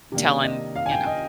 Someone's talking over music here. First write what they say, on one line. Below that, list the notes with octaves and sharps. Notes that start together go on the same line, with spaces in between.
telling you know,
C3 D#3 A#3 D4
D#5
F5
G#5
G5
D#5